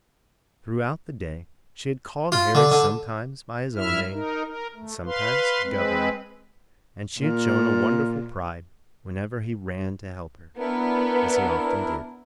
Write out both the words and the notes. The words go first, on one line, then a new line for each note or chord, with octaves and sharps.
Throughout the day she had called Harry sometimes by his own name and sometimes "governor," and she had shown a wonderful pride whenever he ran to help her, as he often did.
F4
D3
D3
G2 E4 E5 F6
D#4 A#4
A#4
A3
B4 F5 C6
G#3 C4 B4
A#2
B3 D4 E4 A#4